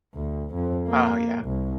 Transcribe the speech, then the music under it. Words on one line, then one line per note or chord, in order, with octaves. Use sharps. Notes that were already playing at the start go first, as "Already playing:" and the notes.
Oh, yeah.
D2
F2
A#3
C2